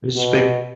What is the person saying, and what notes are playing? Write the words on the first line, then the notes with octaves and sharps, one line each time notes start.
It's be
B2